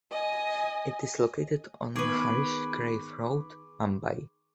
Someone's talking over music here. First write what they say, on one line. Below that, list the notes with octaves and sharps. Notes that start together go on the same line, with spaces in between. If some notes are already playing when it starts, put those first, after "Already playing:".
It is located on Maharishi Karve Road, Mumbai.
D#5 G#5
D#3 B3 G#4 B4 C#6 D6 D7